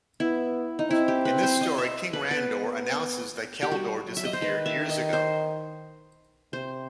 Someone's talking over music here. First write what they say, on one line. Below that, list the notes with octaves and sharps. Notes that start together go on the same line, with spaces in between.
In this story King Randor announces that Keldor disappeared years ago.
B3 E4
D#4
C4 E4
G4
B4
C5
D#5
E5
B4
B3 B4
G4
G3 F#4
F#3
E5
D#5
C5
D#3 B4
E5
D#5
C5
C3 C5